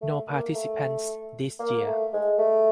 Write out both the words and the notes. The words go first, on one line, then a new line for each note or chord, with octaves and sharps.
No participants this year.
A3
A#3
A3
A#3
A3
G#3
A3